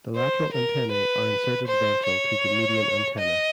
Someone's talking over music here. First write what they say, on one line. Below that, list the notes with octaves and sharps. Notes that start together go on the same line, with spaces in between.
The lateral antennae are inserted ventral to the median antenna.
C5
A#4
B4
C5
C#5
D#5